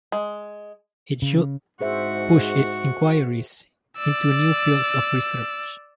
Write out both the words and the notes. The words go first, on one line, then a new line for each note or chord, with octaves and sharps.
It should push its inquiries into new fields of research.
G#3
C#3
G#2 F#4 G#4 C5 E5 C#6
D5 E6